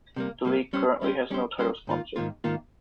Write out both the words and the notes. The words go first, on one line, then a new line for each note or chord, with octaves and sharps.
The league currently has no title sponsor.
C3 G3 A#3
C3 G3 A#3
G3 C#4 G4 C5
G3 C#4 G4 C5
G3 C#4 G4 C5
G3 C#4 G4 C5
G#2 D#3 A#3 F4
G#2 D#3 A#3 F4
G#2 D#3 A#3 F4